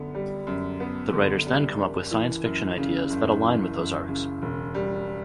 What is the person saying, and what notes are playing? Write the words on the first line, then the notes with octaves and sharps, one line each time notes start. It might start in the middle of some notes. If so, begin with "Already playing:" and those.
The writers then come up with science fiction ideas that align with those arcs.
Already playing: F#2 D3 B3
G3
F#2
B3
D3
G3
F#1
E3
F#2
C#3
F#1
E3
F#2
C#3
E1
G3